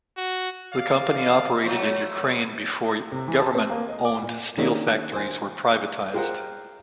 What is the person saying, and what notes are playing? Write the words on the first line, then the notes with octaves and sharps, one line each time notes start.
The company operated in Ukraine before government-owned steel factories were privatized.
F#4
D5 F5
F3 F#3 A3
C3
E3
A5
C4
A#3
D#5
D6
A#2
D#3 G#3 A#3 C#4 D4 E4
C5 G#5
G#3 F4 G4 A#4 C5 F#5